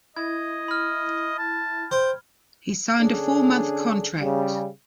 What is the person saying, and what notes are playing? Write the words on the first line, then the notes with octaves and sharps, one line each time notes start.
He signed a four-month contract.
E4 D#5 G#6
B5 F6
A5
C5 G5
D3 C#4 D4 G#4
C#3 G3